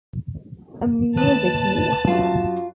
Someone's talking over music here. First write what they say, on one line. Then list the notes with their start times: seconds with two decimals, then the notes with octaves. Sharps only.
A Music War.
1.17 D#2 B4 A5
2.07 F#2 F#3 F4 F#4